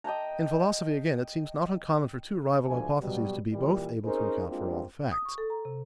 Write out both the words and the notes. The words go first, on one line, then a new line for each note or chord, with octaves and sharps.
In philosophy, again, it seems not uncommon for two rival hypotheses to be both able to account for all the facts.
D#5 G5 A5 A#5
D2 G2 F3 E5 G#5
B2 F#3 G3
A#2 E3 G3
C4 C#4 D#4 G#4 A#4 C5
G3 G#3 A#3 C4 D4 F4
D#6
C#6
A4
A#5
C3